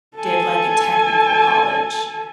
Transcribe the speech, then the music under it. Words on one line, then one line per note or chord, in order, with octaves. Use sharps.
did, like, a technical college.
A4 G#5